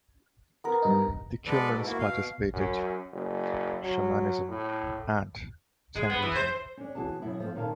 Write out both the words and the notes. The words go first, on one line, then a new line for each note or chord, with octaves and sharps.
The Cumans practiced Shamanism and Tengrism.
B3 A#4
G2 D#4
G#3 B3 A4 B4 D5
G#2 B2
A#3 E4 F#4
B2 F5
F#2
F#1
F#3
A2
G#3
B3
E3
C5
C#4 D4
B2 E3 F#4 G#4 A5
F#2 B2 E4
F3 A3
A#2 D#3 A#3 F5 A5